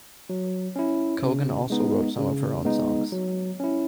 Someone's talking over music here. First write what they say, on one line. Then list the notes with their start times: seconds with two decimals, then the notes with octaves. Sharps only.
Cogan also wrote some of her own songs.
0.29 F#3
0.76 C#4 E4
1.23 C#3
1.70 G#3 B3 D#4
2.18 C#3
2.65 G#3 B3 D#4
3.12 F#3
3.60 C#4 E4